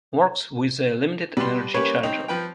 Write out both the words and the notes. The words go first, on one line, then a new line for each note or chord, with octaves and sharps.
Works with a limited energy charger.
B2 G3 B4 C6
A#3 C#4 G4 B4 C#5
C4 D#4 F7
F3 B4 G5